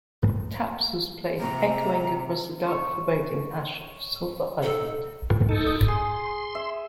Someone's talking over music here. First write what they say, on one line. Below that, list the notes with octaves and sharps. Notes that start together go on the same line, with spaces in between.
Taps was played echoing across the dark foreboding ash of "Sulfur Island".
C3 A#5
C#5 C#6
D#4 A4
D#4 A4
D#6
G#4 C6
E5